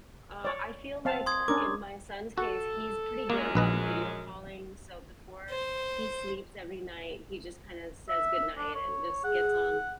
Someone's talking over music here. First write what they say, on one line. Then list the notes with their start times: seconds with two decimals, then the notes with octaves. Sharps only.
uh, I feel like, uh, in my son's case, he's pretty good about video calling, so before he sleeps every night, he just kinda says goodnight and just gets on
0.45 C#5 D5
1.05 C4 F5 A5
1.26 C6 D#6 G#6
1.48 C#4 D4 A#4 D6
2.38 F#4 A4
3.30 F#2 G#3 A#3
3.55 A#1 B4 D#5
5.50 C5
8.09 E5
8.58 D4
8.75 C#5
9.24 G#4 F#5